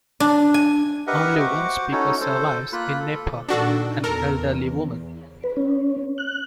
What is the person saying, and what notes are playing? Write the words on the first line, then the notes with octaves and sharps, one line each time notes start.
Only one speaker survives in Nepal, an elderly woman.
D4
G#5
G4 A#4 B4 D#5 E5 F#5
F#4 C5 F#5 D6
C#4 D#4 E4 F#4 A4 C#5
A4 C5
A#3 F4 B5 F#6
A4
A#2 D#3 D4 F#4 A4
E2 A4 A#4
B4
C#4
F#6